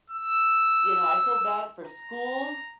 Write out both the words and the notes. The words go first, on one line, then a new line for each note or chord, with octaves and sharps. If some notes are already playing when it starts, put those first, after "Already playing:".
you know, I feel bad for schools,
E6
A#5